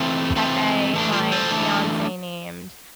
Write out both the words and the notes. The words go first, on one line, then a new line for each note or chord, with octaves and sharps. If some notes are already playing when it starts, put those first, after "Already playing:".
Pepe, my fiancé named.
Already playing: E3 A3 C4
E3 A3 C4
E3 A3 D4
D4 F4
A4 C5
E3 A3 D4